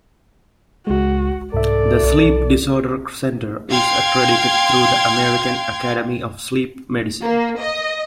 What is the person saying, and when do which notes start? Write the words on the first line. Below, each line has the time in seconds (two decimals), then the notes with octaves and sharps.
The sleep disorder center is accredited through the American Academy of Sleep Medicine.
0.87 C#2 G#3 F#4
1.54 C2 G#2 A4 D5 E5
2.03 B1
3.71 F5 G5 C6 G#6
7.23 A#3
7.60 D#5